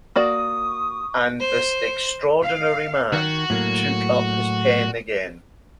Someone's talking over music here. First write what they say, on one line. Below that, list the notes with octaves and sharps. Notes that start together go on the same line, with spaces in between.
And this extraordinary man took up his pen again.
A#3 F#4 D5 C#6 D#6
C5
F5
D#3 F#4
A2 F#3 A#3